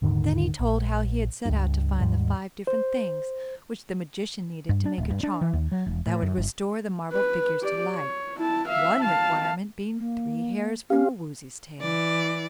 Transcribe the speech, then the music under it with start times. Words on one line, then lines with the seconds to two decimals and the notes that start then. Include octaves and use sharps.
Then he told how he had set out to find the five different things which the Magician needed to make a charm that would restore the marble figures to life, one requirement being three hairs from a Woozy's tail.
0.02 D#1 G#2 D3 D#3
0.60 A#1
1.45 C#2 G2
2.00 D#2 G#2 G3
2.67 C5
4.69 G2
4.85 D4
4.98 D1
5.11 G2
5.23 D4
5.41 E3
5.53 D#2
5.72 F#3
5.86 E1
6.06 A2
6.22 F#2
6.38 G1
7.12 B4
7.61 G4 D5
7.96 C#5
8.36 E4 A5
8.68 E5 F5
9.02 F5 A5
9.98 A#3
10.90 C#4 G4 F5
11.81 E3 D5